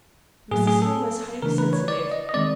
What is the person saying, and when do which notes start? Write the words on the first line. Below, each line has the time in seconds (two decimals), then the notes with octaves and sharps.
Mrs. Hillmer is highly sensitive.
0.51 A2 F#3 A3 G#4
0.67 G#4
0.82 A4
1.42 C#3 E3 A3 D4 A#4
1.58 B4
1.73 C#5
1.88 D5
2.12 D#5
2.29 D#5
2.34 D#3 G#3 C4 D5